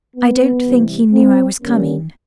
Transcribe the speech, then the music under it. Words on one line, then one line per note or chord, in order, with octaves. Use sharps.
"I don't think he knew I was coming."
B3
C3 E3 G3
C4
D3 G3 A#3 C#4